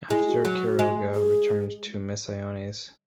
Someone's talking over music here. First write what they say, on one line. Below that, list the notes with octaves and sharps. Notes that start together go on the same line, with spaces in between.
After Quiroga returned to Misiones.
G#3 E4
F#4
F#3
G#3
G#4